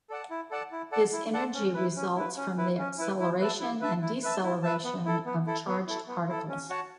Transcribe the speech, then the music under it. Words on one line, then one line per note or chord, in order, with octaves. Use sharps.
This energy results from the acceleration and deceleration of charged particles.
A4 D5 F#5 A5
E4
A4 D5 F#5 A5
E4
A4 D5 F#5 A5
E4
A4 D5 F#5 A5
C#4
E4 B4
C#4
E4 B4
C#4
E4 B4
C#4
E4 B4
E4
B4 E5 A5
E4
B4 E5 A5
E4
B4 E5 A5
E4
B4 E5 A5
B3
E4 A4
B3
E4 A4
B3
E4 A4
B3
E4 A4
C#4
F#4 C#5 F#5 A5